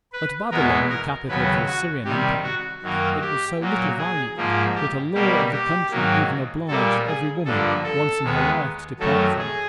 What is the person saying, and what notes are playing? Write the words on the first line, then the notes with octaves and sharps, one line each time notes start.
At Babylon, the capital of the Assyrian empire, it was so little valued, that a law of the country even obliged every woman once in her life to depart from it.
B4
E2 B2 G#3 B3 A#4
A#4
D#2 C#3 F#3 B3 B4
F#4
C3 D#3 G3 G4
F#4
F#2 D#3 F#3 A#3
G4
A#2 F#3 A#3
G#4
G#2 F3 A#3
G4
B2 G3 A#3 G4
G4
G#2 D#3 F#3 A#3
A#2 G3 A#3 A4
G#4
G2 D3 F3 A#3 A4
A4
D#2 D#3 G#3 B3
F#2 D#3 F#3 A3 A4
G#4